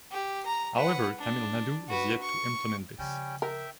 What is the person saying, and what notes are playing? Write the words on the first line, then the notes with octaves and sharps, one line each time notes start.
However Tamil Nadu is yet to implement this.
G4
A#5
B4 F#5
D4
F#4 B4
C#6
C#3 F3 G3 C#4 G5
A#4 E5 G5